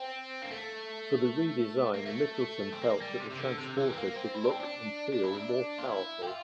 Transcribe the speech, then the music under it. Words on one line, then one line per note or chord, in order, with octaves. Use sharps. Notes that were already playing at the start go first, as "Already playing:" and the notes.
For the redesign Michelson felt that the transporter should look and feel more powerful.
Already playing: C4
A#3
A3
A#3
A3
C4
A#3
G3
C3
C3
D3
C3
E3
C4
A#3
C4
E4
D4
C4
D4
D4
E4
D4
F4
E4
G4
F4